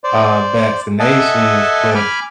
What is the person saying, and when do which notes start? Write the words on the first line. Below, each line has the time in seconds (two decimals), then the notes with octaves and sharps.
uh, vaccinations, but
0.04 C5 D5
1.00 A4 D#5 E5 F#5 G#5 A5
1.95 G#5 B5 D6 F6